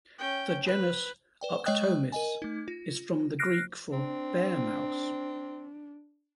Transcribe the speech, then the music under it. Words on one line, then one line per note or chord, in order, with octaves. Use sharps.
The genus, "Arctomys", is from the Greek for "bear-mouse".
C#4 G5
B4
B4 D5 G5
G#3 C#5 D#5 G5 D#6 F#6
A#4 D#5 G#5
A3 D#4
F4
F6 F#6 A#6 C7 D7
C4 D4